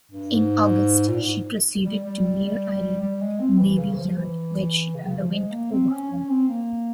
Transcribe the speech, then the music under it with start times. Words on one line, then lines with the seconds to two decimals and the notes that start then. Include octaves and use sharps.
In August, she proceeded to Mare Island Navy Yard where she underwent overhaul.
0.11 G2
0.31 G#2
1.08 A#2
1.21 G#2
1.85 G3
2.04 G3
3.01 G3
3.21 G#3
3.40 C4
3.59 E3
3.78 C#3
3.93 E3
3.97 F3
4.17 E3
4.94 C#3
5.07 C#3
5.19 F3
5.33 G#3
5.51 A#3
5.71 C4
5.91 C#4
6.10 C#4
6.29 C4
6.49 A#3